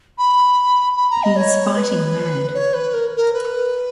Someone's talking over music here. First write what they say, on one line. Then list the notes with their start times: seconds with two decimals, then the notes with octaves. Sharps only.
He's fighting mad!
0.18 B5
0.96 B5
1.10 A#5
1.23 D#5
1.36 C#5
1.76 B4
2.54 C#5
2.74 B4
2.93 A#4
3.16 A#4
3.33 B4